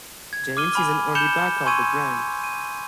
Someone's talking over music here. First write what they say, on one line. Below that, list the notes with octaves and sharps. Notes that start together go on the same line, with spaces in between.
James is an early backer of the brand.
G#6
D6 F6 D#7 G7
G#5 B5 F6
B5 G6 C#7 E7 F7 G7
G#5 C6 C#6 E6 G#6 D#7
D#7